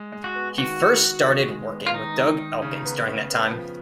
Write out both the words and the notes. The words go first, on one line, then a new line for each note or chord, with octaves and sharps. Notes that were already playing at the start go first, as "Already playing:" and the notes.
He first started working with Doug Elkins during that time.
Already playing: G#3
G#3
F#4
B3
D#3 F#4
D#3
D#3
D#3
G#3
B3
F4
D#3 D#4
D#3
D#3
C#3
B3
C#3
B3
F3